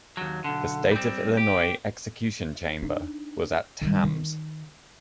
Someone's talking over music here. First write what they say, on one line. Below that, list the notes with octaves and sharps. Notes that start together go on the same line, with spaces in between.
The State of Illinois execution chamber was at Tamms.
D#2 F#3
B1 D3
G3 C4
G4
D4 D#4
D#3 G3
D#3